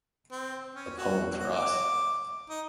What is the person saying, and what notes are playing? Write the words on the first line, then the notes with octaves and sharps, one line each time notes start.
A poem for us.
C4
C#4
F#4
F#4
D6
D#4